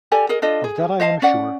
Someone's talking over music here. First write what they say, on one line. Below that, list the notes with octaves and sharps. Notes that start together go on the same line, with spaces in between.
Of that I am sure.
G4 A4 D5 G#5
G#4 A#4 D#5
D4 F4 A4 D#5
G#4
C5 D#5 F5 A5
C#4 D5 F#5